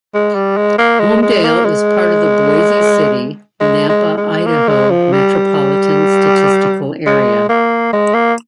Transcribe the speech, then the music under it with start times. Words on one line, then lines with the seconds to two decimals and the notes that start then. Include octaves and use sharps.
Homedale is part of the Boise City-Nampa, Idaho Metropolitan Statistical Area.
0.14 G#3
0.35 G3
0.57 G#3
0.78 A#3
1.00 G#3
1.22 G#3
1.44 A#3
1.65 G#3
3.60 G#3
3.89 G#3
4.17 G#3
4.46 A#3
4.68 G#3
4.90 F3
5.12 G3
7.06 G#3
7.49 A#3
7.93 G#3
8.14 A#3